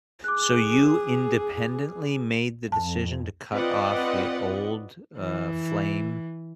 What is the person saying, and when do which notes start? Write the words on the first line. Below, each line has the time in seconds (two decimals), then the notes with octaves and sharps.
So you independently made the decision to cut off the old, uh, flame,
0.24 G#4 D6 F#6
2.72 F2 A5
3.53 C4 F4 B4 D5 D#5 F#5
5.19 E3